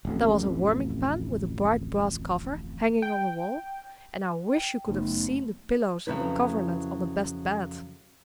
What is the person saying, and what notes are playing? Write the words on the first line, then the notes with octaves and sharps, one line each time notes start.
There was a warming-pan with a bright brass cover, hanging on the wall; and I wish you could have seen the pillows and the coverlet on the best bed!
D1 A1 F2
G5
G5
F#1 A3 B3 D#4
F2 C#3 F#3 E4 B4